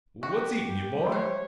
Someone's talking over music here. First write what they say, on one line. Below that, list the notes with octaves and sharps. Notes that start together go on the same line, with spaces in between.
What's eatin' ye, boy?
F#4 G4
C5 C#5